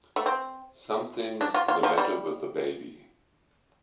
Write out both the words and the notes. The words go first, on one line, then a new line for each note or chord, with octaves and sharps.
Something's the matter with the baby!
A3
C4
D4
F4
F4
F3
G3